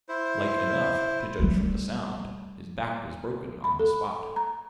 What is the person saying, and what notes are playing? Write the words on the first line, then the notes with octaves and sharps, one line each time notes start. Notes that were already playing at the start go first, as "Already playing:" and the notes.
Like enough, to judge from the sound, his back was broken on the spot.
E4 C5
G3 A3
B5
A4
A#5